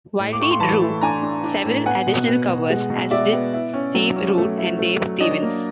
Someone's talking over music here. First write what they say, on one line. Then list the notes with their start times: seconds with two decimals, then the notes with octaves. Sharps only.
Wildey drew several additional covers, as did Steve Rude and Dave Stevens.
0.19 A2
0.33 D6
0.39 A3 C#6
0.51 C6
0.60 E3 A5 B5
0.81 A3
1.02 D4 G#5 A#5
1.22 D4
1.44 D4
1.65 A2
1.86 B3 F#5 G#5
2.07 B2
2.28 B3
2.48 B2
2.70 G#3
2.90 B2
3.11 G#3 D5 E5
3.33 B3
3.53 E4
3.74 C#4
3.94 F#3
4.16 C#4
4.37 A3
4.58 E4
4.79 A3
5.00 F#3
5.20 D4 C#5 D#5
5.42 A#3